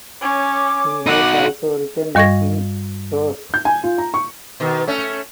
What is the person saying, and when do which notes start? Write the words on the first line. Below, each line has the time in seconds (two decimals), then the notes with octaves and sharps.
He has also written books in prose.
0.22 C#4 C#5 G#5 D6
1.06 D#4 F#4 F#5
2.15 G2 G3 D#5 C#6 G#6 A#6
3.54 G6
3.65 G#5
3.83 F4
3.98 A#5
4.14 C#6
4.60 B2 D#3
4.87 A3 C#4